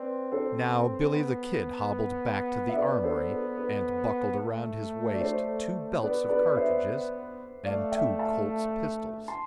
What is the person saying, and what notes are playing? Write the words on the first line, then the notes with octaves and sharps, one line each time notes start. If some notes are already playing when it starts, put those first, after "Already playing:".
Now "Billy the Kid" hobbled back to the armory and buckled around his waist two belts of cartridges and two Colt's pistols.
Already playing: C4 B4 D5
A4 C5
B3
E5
B3 B4 D5
A4 C5
B4
B4
A3
D5
A4 C5
B3 B4 D5
B4 D5
C5 E5
A3 D5 F5
E5 G5
F5 A5
A5 C6